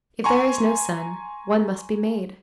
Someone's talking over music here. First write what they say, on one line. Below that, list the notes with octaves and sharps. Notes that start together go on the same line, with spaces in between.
If there is no sun, one must be made.
G#5 A#5 C6 C#6